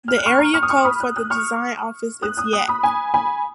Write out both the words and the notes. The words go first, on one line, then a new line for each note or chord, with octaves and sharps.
The area code for the design office is Yak.
F6
F#6
C#6 F6
A#5 C#6
C#6 F6
D#6
C#6 F6
B5 D#6
F#6
D#6 F#6
C#6 F6
D#6 F#6
D#6 F#6
D#6 F#6
B5 D#6
G#5 B5
G#5 B5